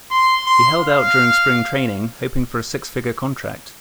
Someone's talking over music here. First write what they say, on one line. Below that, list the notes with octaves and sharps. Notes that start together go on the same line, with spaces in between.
He held out during spring training, hoping for a six-figure contract.
C6
C6
F5